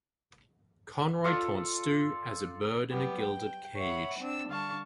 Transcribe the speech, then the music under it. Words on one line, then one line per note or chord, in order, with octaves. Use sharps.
Conroy taunts Stew as a bird in a gilded cage.
F4 A4 D5
F#3 G3 B3 G4
G5
C#5 E5 F#5 B5
C4 D4 E6
D3 G3 F5 A5 C#6